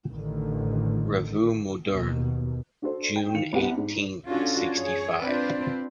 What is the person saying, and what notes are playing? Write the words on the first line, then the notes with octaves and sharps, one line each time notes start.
REVUE MODERNE, June eighteen sixty-five.
A1 A2 D3 D#3
D#2 B2
D4 F#4 A4 C5
G5
D#3 F5 C#7 F7
C2 B3 G4 F#5
G#2 D4
C#4 D4 F4 F#4 A4
F#2 G#4 C#5
C4 D4 F4 B4 C5 D5